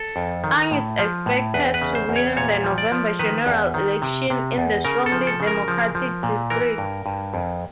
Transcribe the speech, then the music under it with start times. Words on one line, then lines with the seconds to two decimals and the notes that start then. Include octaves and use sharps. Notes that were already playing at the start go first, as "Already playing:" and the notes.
Ung is expected to win the November general election in the strongly Democratic district.
Already playing: A4
0.16 F2
0.44 D#3
0.71 A2
0.99 F3
1.26 A2
1.54 E2 B4
1.74 B4
1.82 C#3
1.95 C5
2.09 E2
2.16 C#5
2.37 A#2 C#5
2.64 F3
2.78 D5
2.92 F3
3.19 D#3 B4
3.47 E2
3.74 D#3
4.02 C3
4.30 C3
4.58 E2
4.85 C#3 A#4
5.06 A4
5.12 F3
5.27 A4
5.40 C#3
5.47 A#4
5.68 F3
5.95 F3
6.23 A#2
6.50 E3 A#4
6.78 G2
7.06 G2
7.34 F2